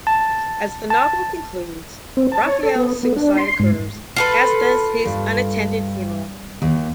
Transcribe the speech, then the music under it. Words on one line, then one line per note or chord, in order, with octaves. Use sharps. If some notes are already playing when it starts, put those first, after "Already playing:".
As the novel concludes, Raphael's suicide occurs, as does his unattended funeral.
A5
A5
C4
A5
C#5
A4
B3
B3
D4
C6
G#2
F4 A4 B4
G2
D#2